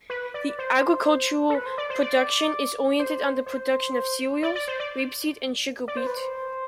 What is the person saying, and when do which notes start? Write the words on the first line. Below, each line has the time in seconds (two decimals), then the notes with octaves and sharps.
The agricultural production is oriented on the production of cereals, rapeseed and sugar beet.
0.10 B4
0.34 D5
0.59 C5
1.50 A4
1.55 B4
1.66 C5
1.78 D5
1.90 C5
2.02 D5
2.99 C5
3.46 C5
4.43 D5
4.55 D5
4.68 C5
4.80 D5
5.88 D5
5.97 C5
6.07 B4
6.17 C5